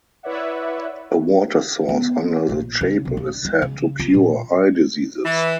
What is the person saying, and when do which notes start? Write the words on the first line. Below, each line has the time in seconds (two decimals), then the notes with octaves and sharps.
A water source under the chapel is said to cure eye diseases.
0.23 E4 B4 C#5 D5 E5 F#5
1.89 B3
2.49 A#1
2.81 C#3
3.05 B1
3.17 D3
3.45 G#3
3.62 C#3
3.99 F4
4.14 A#2
5.24 E3